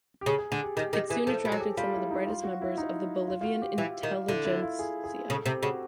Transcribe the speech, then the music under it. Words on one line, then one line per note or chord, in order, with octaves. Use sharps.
It soon attracted some of the brightest members of the Bolivian intelligentsia.
G4
C#3 G#4
G#4
D3 G#4
G4
D#3 G4
D#3 G4
E3 G#4
F3 A4
G3
F#3 G#4
G4
G3 F4
E4
D#4
F4
F#4
E4
D#4
F4
F4
F#4
G4
E3
D#3
D3 E4
E4
F4
G#4
G#4
C#3 A4
C3 G4
C#3 F#4